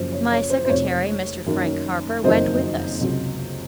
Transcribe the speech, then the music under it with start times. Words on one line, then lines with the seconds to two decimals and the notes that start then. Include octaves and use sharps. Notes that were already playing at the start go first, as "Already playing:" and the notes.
My secretary, Mr. Frank Harper, went with us.
Already playing: F#1 F#2 F3 C5
0.12 C#5
0.32 C#5
0.50 C5
0.64 C5
0.69 F1 F2 C3 C#5
1.46 F#2 D#3 A#3
2.23 F#1 F2 D#3 F#3 A#3 C5 D#5
3.01 C#2 C3 F#3